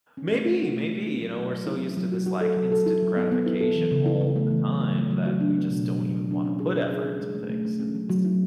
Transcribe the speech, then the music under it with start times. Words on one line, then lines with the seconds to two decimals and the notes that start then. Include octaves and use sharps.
Maybe, maybe, you know, we're so used to this, like, instant gratification all the time that we just don't even wanna put effort into things, and it's
0.17 C#4
0.32 A3
0.47 A3
0.63 F#4
0.77 A3
0.92 A3
1.07 E4
1.22 F#3
1.37 F#3
1.52 F#3
1.67 E4
1.82 F#3
1.97 F#3
2.12 F#4
2.26 F#4
2.41 A4
2.56 F#3
2.72 A4
2.86 E4
3.02 F#3
3.16 B3
3.32 B3
3.46 E4
3.61 A4
3.76 E3
3.91 C#3
4.06 E4
4.21 E4
4.36 A3
4.51 E3
4.66 F#3
4.81 A3
4.95 A3
5.11 F#3
5.26 F#4
5.40 D4
5.56 B3
5.70 B2
5.85 F#3
6.01 F#3
6.16 F#3
6.31 D4
6.45 C#4
6.60 G#4
6.75 C#4
6.90 G#4
7.05 C#4
7.20 G#3
7.35 A3
7.50 A3
7.65 A3
7.80 C#4
7.95 F#3
8.09 F#3
8.25 E4